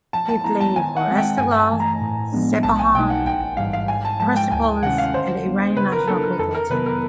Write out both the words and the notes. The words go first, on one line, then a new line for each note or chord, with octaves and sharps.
He played for Esteghlal, Sepahan, Persepolis and the Iranian national football team.
F3 A5
A5
G#3 B3 E4 A#5
A5
D#3 G#5
F#5
G#3 C4
G5
G2 G#5
A5
E3 A3
A#5
A2
F3 G#3 B3 D4
B1 A5
G#5
B2 G3 A#3 D#4 G5
F#5
A1 G5
G#2 E3 G3 F5
F5
G#2 G#5
A5
F3 G#3 A5
G5
D2 G#5
C3 D#3 G#3 C#4 F#5
F5
D3 C5
G3 B3 D4
C#3 B4
A#4
F#3 A#3 D4 F4 A4
A#4
F2 A4
A#4
C3 D#3 F#3 B3 B4
A#4